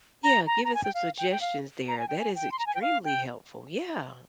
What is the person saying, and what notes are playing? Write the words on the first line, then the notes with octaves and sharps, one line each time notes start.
Yeah, giving some suggestions there, that is extremely helpful. Yeah.
A#5
A#5
A#5
G#5
G5
F5
G5
G5
F5
A#5
G#5
G5
G#5
G5
C6
A#5
G#5
G5
F5
G5